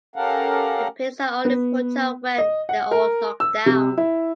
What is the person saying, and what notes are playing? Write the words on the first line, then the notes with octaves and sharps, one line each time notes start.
The pins are only put up when they are all knocked down.
C#4 G4 A4 A#4 F5 F#5
B3
D#5
F#5
A#4
E6
C3
E4